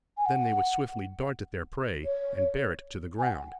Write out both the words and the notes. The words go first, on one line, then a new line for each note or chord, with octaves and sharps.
Then they would swiftly dart at their prey and bear it to the ground.
G#5
F#5
C#5
G#5
F#5